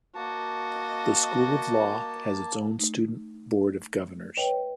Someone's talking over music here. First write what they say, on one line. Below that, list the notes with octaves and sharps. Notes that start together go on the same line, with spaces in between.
The School of Law has its own Student Board of Governors.
A#3 F#4 D#5 A5
A3 D#4
B4 C#5 D#5 G5